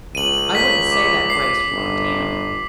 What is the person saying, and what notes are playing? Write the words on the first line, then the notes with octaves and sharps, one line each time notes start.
"I wouldn't say that, Grace," remarked Anne.
C#2 D#7 F#7
B6
D6
C7
G1